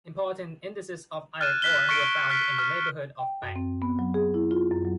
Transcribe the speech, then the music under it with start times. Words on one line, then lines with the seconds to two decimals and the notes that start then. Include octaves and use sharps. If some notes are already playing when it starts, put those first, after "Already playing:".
Important indices of iron ore were found in the neighborhood of Bang.
1.41 F6 F#6 G#6 A6 D#7 E7
1.62 F#6 B6 G7
1.89 C#6 F6 A6 B6 C#7 D7
2.30 F6 F#6 B6 D7
2.59 F6 B6
3.19 G5
3.42 F#2
3.56 C4
3.82 B3
3.99 F#3
4.14 G#4
4.34 E4
4.51 F4
4.71 F#2
4.85 F#3